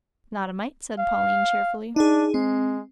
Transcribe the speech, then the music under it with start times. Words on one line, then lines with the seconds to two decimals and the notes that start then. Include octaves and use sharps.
"Not a mite," said Pauline cheerfully.
0.99 F5
1.96 D4 D#4 G#4
2.34 G#3 C4